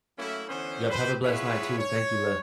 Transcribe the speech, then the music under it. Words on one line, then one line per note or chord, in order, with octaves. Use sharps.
Yep, have a blessed night, too. Thank you, le
F#3 A3 A#3 C#4 E4
D3 E3 B3 C#4 C5
B4 C5
B3 E4 F4 G#4 B4 C#5
C#5